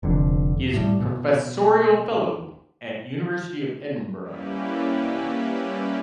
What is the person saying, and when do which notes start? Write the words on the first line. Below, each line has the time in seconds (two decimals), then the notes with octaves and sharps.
He is professorial fellow at University of Edinburgh.
0.03 F1 F2 D3
0.74 A2 G3
0.99 B2
4.21 G3 A#3 C#4 E4 G4 B4